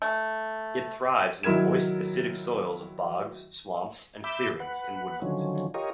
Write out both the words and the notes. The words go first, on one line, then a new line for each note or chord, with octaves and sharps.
It thrives in the moist, acidic soils of bogs, swamps, and clearings in woodlands.
A3
D#3 F#3 E4 A#4 G#6 E7
E5 B5 D6 E6 G6
B4 F#5
D3 D#3 F3 F#3 C#4
F4 G4 A#4 C#5 D#5